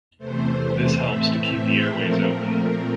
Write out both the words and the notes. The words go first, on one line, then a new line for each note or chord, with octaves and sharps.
This helps to keep the airways open.
E2 C3 E3 A3 C5
A2 E3 A3 C4 E5
C5
A#2 F3 A3 C4 A#4